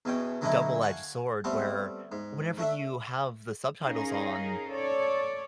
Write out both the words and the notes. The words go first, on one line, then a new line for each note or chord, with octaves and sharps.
double-edge sword where whenever you have the subtitles on,
E2 B2 C#4 G5
D3 F#3 A3 C#4 D#4 E4
F5 F#5 G#5 A5 C#6
G3 A3 B3 C4
G#2
A3 D4 E5
C#4 D#4 G#4 A#4 F5
A4 C#5 D5